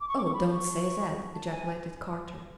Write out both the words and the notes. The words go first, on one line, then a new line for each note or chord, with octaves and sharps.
"Oh, don't say that!" ejaculated Carter.
D6
C#6
D6
C#6
B5
C#6
A5
A5
G#5
G#5